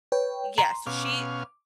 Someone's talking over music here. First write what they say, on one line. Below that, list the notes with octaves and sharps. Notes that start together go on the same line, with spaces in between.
Yeah, so, she
B4 C#5 G5
A#5 C6
B2 C#4 F5 D6